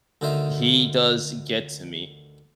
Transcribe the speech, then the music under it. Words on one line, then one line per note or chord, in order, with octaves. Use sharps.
he does get to me.
D2 D3 D#3 C5 E5